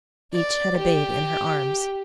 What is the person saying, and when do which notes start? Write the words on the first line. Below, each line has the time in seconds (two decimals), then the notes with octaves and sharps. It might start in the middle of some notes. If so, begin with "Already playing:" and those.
Each had a babe in her arms.
0.34 D5
0.77 G4